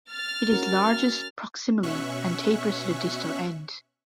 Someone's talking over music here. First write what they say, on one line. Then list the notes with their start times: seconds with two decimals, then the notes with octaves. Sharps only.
It is largest proximally and tapers to the distal end.
0.10 F6 A6
0.50 C#4 F#4 A#4
1.83 B2 C#4 E5 C#6 F#6